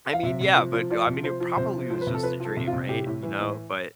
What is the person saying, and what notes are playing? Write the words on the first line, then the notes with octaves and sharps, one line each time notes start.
I mean, yeah, but I mean, it probably was just a dream. Right? You know? But
F5
C3 E5
C3
F3
F3
F3 D5
C3
F3 C5
F3
C3 C5
F3
C5
F3 C5
B4
C3
A4
F3 B4
F3 A4
C3
F4
C3
A2 G4
A2
E3
A2